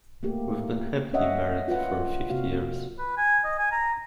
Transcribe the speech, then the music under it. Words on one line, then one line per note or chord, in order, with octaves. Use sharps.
We've been happily married for fifty years.
A3 A#3 G4
C#4 C#5 D#5 E5 F#5
F4 B4 F#5
C3 A#3 F#4 F5
B4
G#5
D#5
G#5
A#5